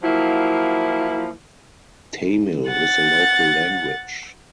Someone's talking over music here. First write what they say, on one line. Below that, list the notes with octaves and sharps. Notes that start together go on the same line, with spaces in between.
Tamil is the local language.
F3 F#3 A#3 E4
F#5 A6